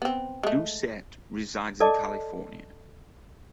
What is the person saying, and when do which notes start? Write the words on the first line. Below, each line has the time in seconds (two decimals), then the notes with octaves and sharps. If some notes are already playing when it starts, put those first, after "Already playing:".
Doucette resides in California.
0.02 B3 C4
0.43 G#3 A3
1.80 A4 D5 D#5 A5 D6